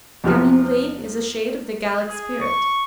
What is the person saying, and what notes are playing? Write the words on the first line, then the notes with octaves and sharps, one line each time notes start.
Gaminerie is a shade of the Gallic spirit.
E2 C3 F3 F#3
G#4
C#6